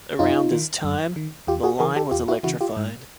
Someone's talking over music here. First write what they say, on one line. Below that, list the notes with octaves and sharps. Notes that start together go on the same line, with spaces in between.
Around this time, the line was electrified.
F#2 D#4 F4
D#3
F#2
D#3
E2 F4 G4
F#4 G#4
C#3 E3 G#4 A#4
G4 A4
E2 F4 G4
E4 F#4
C#3 E3 E4 F#4
F4 G4
G#2